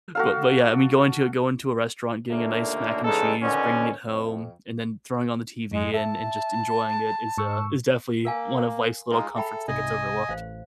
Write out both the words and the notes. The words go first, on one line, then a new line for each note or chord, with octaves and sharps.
but but yeah, I mean, going to a going to a restaurant, getting a nice mac and cheese, bringing it home, and then throwing on the TV and and just enjoying it is, uh, is definitely one of life's little comforts that gets overlooked.
F#4 A4 F5
D#2 A#2 D3 A3 A#3
E2 C#3 G#3 D#4 A4
B2 D3 D#3 C#4
F2
F#2 G#3
E5 A5
G#2 C#6 E6
A#3 A#4 F5 G#5
G#3 D#4 F4 G#4 G#5 A#5
A4 E5 G5 B5
C2 G#2 C3 D#5 G#5
A1 C5 F5